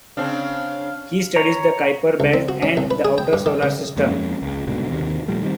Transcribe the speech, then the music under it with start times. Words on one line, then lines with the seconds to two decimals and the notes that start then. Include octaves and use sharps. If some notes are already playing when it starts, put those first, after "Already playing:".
He studies the Kuiper belt and the outer Solar System.
0.17 C#3 C4 D4 F5
1.36 C#5 A#5
2.20 C#2
2.34 C4
2.49 F#4
2.63 C#4
2.77 C2
2.91 B4
3.05 G#4
3.18 G5
3.33 G2
3.46 D#3
3.63 C#3
3.97 F2 G#3 A#3 C#4
4.42 C#2
4.67 C2 G#2 B2 D3
4.90 D#2 C3 D#3
5.28 A#2 F3 G3 A3
5.42 D#3 G3 C4